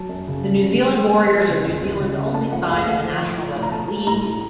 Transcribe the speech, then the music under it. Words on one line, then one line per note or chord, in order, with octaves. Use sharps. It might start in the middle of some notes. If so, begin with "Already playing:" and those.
The New Zealand Warriors are New Zealand's only side in the National Rugby League.
Already playing: F#3 A5
F#2
C#3
C#3
C#3
G#3
G#3
G#3
F3
C#3
C#2
C#2
C#3
C#3
A3 A5
F3 F#5
C#2 F5
A3 F5
F3
A2
F3
A2
A#5
A3 A5
A3
A2 A#5
A2